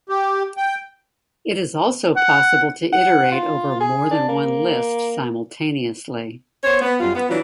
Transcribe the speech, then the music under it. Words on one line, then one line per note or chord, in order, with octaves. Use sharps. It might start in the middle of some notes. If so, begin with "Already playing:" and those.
It is also possible to iterate over more than one list simultaneously.
G4
G5
F#5
F#5
F4
G#4
D4
A#3
B3 C5 C#5
B3
F#2 G3 F4
B3
E3 F#3 D4 F4